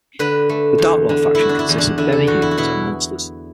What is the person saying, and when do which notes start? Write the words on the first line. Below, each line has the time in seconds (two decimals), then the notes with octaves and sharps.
The Darklore faction consists of demihumans and monsters.
0.19 D3 B4
0.49 A3
0.78 E2
1.09 D3
1.35 A3 E4 F#4
1.49 D4
1.59 E4
1.69 E2
1.78 D4
1.98 D3 E4
2.12 A4
2.27 E2 F#4
2.42 E4
2.51 F#4
2.58 B2 E4